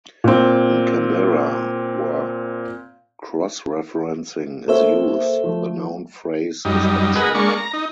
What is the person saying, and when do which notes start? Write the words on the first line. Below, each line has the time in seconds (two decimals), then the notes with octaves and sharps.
In Kambera, where cross-referencing is used, the noun phrase is optional.
0.24 A#2 C4
4.68 A#3 F#4 A4 C5 C#5 E5
5.44 F3 A3
6.65 F#2 G3 D#4
7.15 G#4 A#4 B4 D#5 F#5
7.34 G#3 A#3 D4 C#6
7.57 A#5
7.73 D#4